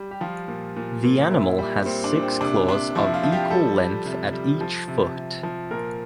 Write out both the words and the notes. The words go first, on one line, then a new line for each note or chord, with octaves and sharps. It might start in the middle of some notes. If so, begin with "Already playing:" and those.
The animal has six claws of equal length at each foot.
Already playing: G3
G4
F3 F4
A#2
A#2
A#2
A#2 E4
G3
A#2 C4
D4
A#2
C4
C3 D4
C3 D4
F3 E4
F4
F3
G4
G3 A4
G3
C3
G3
F3
C3
C3
F3
A#2 A#4